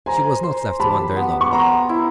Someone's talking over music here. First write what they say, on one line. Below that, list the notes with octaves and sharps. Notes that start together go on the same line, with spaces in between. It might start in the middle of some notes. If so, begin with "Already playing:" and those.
She was not left to wonder long.
C5 G#5 A#5
C5
G4 A5 B5
B3
C#6
B3 A#5 C6
E4